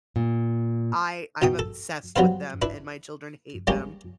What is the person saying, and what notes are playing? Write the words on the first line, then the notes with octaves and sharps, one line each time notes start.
I I'm obsessed with them, and my children hate them.
A#2
B2 D#4 G5 D#6
A4
F#3 G3 B3 C4 B4 F5
D4 E4 B4
G3 G#3 A#3 C#4 G4